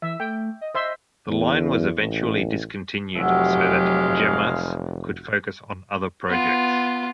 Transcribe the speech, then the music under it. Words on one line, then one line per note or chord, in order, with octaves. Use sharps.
The line was eventually discontinued so that Jemas could focus on other projects.
E3 E5
A3 G5
D#5
C5 E5 C6
E2
A1
F1 F#3 G#3 F#4 G4 E5 F5
B3 F4